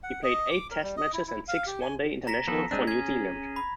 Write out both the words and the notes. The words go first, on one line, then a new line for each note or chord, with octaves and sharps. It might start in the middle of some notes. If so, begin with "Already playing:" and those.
He played eight Test matches and six One Day Internationals for New Zealand.
F#5
D#5
D6
A#4
G3
D#5
E4
E4
F5
G4
G#5
A#5 A#6 B6
F3 B3 A4
G#3 C4 D4
C#4 G#4 G#6
B5